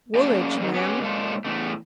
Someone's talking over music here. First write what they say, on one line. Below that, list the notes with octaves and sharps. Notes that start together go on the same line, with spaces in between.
"Woolidge, ma'am."
F#2 C#3 A#3 D5 G5 A5
F2 A2 D#3
B3 C#4 G4
A#2 G#3 F4 A4
E2 A2 C3 A3